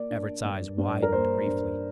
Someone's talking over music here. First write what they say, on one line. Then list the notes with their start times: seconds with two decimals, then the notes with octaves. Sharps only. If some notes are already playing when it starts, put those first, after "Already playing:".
Everts' eyes widened briefly.
Already playing: A#3 D5
0.10 D4
0.44 G2
0.78 G2
1.03 A#4
1.12 A#3 C5
1.46 G2